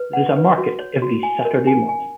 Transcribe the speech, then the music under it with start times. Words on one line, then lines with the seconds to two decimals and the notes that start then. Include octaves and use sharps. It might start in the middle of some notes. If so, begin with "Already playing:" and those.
There is a market every Saturday morning.
Already playing: B4
0.13 F#5
0.36 B4
0.58 F#4
0.79 C#5
1.02 F#4
1.23 G#5
1.45 A#4
1.67 G#5
1.89 G#5